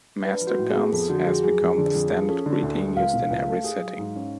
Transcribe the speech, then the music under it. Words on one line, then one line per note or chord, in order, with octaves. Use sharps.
"Master Guns" has become the standard greeting used in every setting.
D4 B4
F3
F#4
A2
B3 G#4
F2 A4
D3 F#4
F2 G#4
F#3 G#4
F2
D3
F2
F3
C#4 A4
D3
D2
G#3
C#2 F5
B2
C#2
A3
G#4
F#3
G#2
C#4